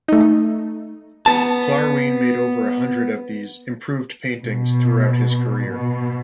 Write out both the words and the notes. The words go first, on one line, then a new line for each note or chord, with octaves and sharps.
Klarwein made over a hundred of these "improved paintings" throughout his career.
A3 D#4
B3 A5
B2
B2